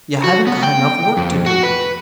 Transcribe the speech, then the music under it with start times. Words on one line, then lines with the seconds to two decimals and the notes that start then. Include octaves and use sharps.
You haven't got enough work to do.
0.24 F#4
0.47 B3
0.63 G5
1.17 F2
1.46 F#4
1.63 B4